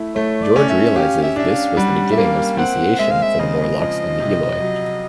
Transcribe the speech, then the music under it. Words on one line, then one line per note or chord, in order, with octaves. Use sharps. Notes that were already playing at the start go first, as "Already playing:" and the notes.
George realises this was the beginning of speciation for the Morlocks and the Eloi.
Already playing: A3 E4
A3 C#5
D5
C#4
E5
G4 F5
E5
D4 E5
F5
G3 F#5
E5
A#3 F5
C4 F#5
G#3 E5
F5
E5
C#3 D#5
F3
C3
F#3